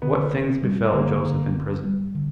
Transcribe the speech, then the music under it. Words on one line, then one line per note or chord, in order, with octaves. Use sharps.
What Things Befell Joseph In Prison.
D3 B3
B3
G3
D3 A#3
D3
B3
G3
D3